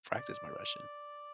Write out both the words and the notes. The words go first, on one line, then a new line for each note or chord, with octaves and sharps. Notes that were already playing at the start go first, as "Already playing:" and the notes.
practice my Russian.
D5